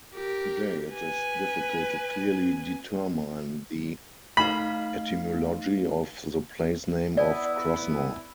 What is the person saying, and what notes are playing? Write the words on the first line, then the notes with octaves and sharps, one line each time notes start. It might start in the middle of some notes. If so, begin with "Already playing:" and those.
Today it is difficult to clearly determine the etymology of the place-name of Krosno.
G4 A#4
B4 G#5
A3 D#4 F5 B5
B3 E4 D5